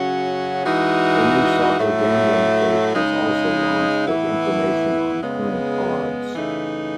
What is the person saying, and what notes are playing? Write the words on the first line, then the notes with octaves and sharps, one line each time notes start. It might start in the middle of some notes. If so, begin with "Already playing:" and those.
A new soccer gambling page was also launched, with information on current odds.
Already playing: C#3 F#3 C#4 F#4
E3 G#3 D#4 F#4
A2 F#3 A3
C#3 G#3 D#4
A2 E3 B3 E4
C#3 G#3 B3
C#3 E3 A3 D#4